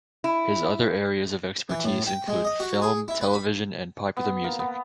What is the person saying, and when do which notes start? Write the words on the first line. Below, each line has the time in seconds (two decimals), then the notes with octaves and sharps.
His other areas of expertise include film, television, and popular music.
0.24 E4
1.70 E3
1.85 A2
2.07 G5
2.28 G#3
2.45 D#5
2.60 F#4
2.82 G#4
3.08 E4
3.21 B4
3.33 B5
4.17 B3
4.44 A#3
4.59 B3